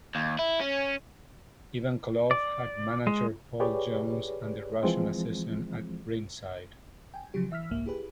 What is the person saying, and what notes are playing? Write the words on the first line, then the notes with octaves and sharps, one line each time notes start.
Ivan Koloff had manager Paul Jones and The Russian Assassin at ringside.
D#2
E4
C#4
D5
G#3
G4 G#4 B4 C#5 D5
E3 F3 G#3 C4
G5 G#5
C#3 F3 F#3 G4
E3 E5 E6 F6 B6
G1 C2 G#2 A#3 E5
E4 G4 G#4 B4